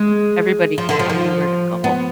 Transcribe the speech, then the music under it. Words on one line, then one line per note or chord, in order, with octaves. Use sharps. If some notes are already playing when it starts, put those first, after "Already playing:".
everybody will tell you where to go,
Already playing: G#3
F3
D3
F3
F3
B3